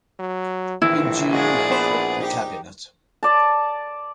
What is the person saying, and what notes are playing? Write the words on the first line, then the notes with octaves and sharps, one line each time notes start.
In June, they quit The Cabinet.
F#3
A#1 D#3 E3 E4
G#3 F4 F#4 G#4 D5
B3 C5
D#4 G4
D5 A5